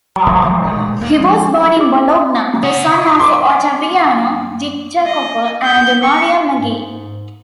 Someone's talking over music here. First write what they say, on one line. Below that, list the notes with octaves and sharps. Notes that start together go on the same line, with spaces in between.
He was born in Bologna, the son of Ottaviano di Jacopo and Maria Maggi.
G1 D3 E3 G#3
C2 F3 G#3 A3
E1 A#2 G#3 A3
D2 G3 A#3 B3
F3 G#3
E4 G#4 D6
C#3 F#5 D#6
C6 D6
D#5
G6
C#6
G#2